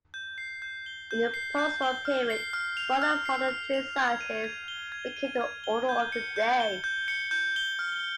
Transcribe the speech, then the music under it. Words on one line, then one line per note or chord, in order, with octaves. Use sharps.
In the postwar period, smaller model train sizes became the order of the day.
G6
C7
G6
G7
G6
C7
G6
G7
F6
C7
F6
F7
F6
C7
F6
F7
G#6
D#7
G#6
G7
G#6
D#7
G#6
G7
G6
C#7
G6
G7
G6
C#7
G6
G7
F6